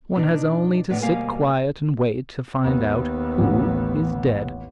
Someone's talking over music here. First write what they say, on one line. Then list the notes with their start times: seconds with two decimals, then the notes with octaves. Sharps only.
One has only to sit quiet and wait to find out who is dead.
0.15 B2 D4 D#4
0.90 A2 D3 B3 D5
1.02 D2 B2 G3 A#3 F5 G#5
2.63 D#2 B3
3.39 A1